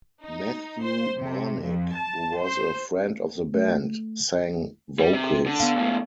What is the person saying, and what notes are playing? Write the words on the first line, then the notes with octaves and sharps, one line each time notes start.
Matthew Marnik, who was a friend of the band, sang vocals.
D#4
C5
C3
F2
A5
C5
A3
G3
C3
D3
B3 F5
B1 A2